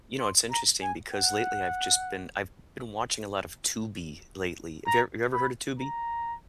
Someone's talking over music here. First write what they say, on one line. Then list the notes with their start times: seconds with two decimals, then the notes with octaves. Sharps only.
You know, it's interesting because lately I've just been I've been watching a lot of Tubi lately. Have you have you ever heard of Tubi?
0.20 C6
0.51 A#5
0.83 G#5
1.14 F#5
4.87 A#5
5.33 B5
5.79 A#5